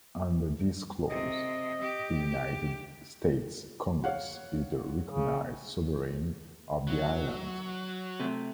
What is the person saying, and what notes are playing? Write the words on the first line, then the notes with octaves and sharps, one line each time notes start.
Under this clause, the United States Congress is the recognized sovereign of the island.
C3 D#5
G4
C#5 F5 F#5
C#3
F#3
C3 A3